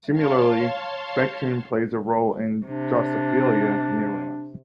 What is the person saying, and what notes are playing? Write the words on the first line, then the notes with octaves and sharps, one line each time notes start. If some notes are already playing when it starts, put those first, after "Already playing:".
Similarly, spectrin plays a role in "Drosophila" neurons.
C#5 F5 A5 C6
C3 D4